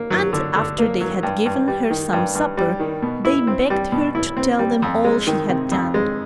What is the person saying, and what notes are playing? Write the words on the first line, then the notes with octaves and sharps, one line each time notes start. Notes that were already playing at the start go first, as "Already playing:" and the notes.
And after they had given her some supper they begged her to tell them all she had done.
Already playing: A#3
F#3
D3
D3
A#3
F#3
G2
G2
G3
D#3
G2
G2
G3
D#3
B2
E4
C4
G3
B2
E4
C4
G3
F2
G#3
D#3
C3
F2
G#3